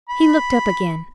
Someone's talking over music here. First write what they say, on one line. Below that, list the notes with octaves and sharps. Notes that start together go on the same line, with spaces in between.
He looked up again.
B5